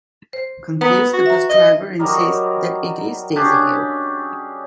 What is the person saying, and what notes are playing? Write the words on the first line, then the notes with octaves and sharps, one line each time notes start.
Confused, the bus driver insists that it is Daisy Hill.
C5
B3 B4 A#5 D#6
F#4
E5 A#5
D#5
F#3 G3 A#4 D#5
C#4 D4 G4 G#4